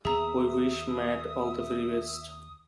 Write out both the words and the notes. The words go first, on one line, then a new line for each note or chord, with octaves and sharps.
We wish Matt all the very best.
D#2 B3 G#4 E5 A#5 D#6